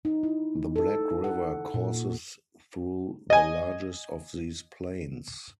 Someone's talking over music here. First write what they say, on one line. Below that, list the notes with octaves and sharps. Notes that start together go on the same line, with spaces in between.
The Black River courses through the largest of these plains.
D#4
E4
A4
F#5
A#2
D#5 G#5